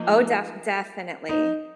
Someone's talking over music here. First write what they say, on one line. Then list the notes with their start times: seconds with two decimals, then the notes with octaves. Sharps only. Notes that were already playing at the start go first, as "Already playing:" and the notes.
Oh, def definitely.
Already playing: F3 A#3 D#4
1.29 D#4